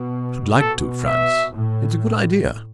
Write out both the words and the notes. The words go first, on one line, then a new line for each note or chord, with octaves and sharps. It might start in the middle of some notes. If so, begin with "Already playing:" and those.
I should like to, Frantz; it's a good idea.
Already playing: B2
B2 A4
E5
A2